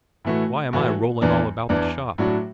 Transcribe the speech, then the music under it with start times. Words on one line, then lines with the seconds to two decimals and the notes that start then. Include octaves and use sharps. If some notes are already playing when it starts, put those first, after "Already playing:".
Why am I rolling all about the shop?
0.25 A2 E3 A3 F#4
0.73 A2 E3 A3 F#4
1.21 E2 E3 D4
1.69 E2 E3 D4
2.18 A2 F#3 D4 F#4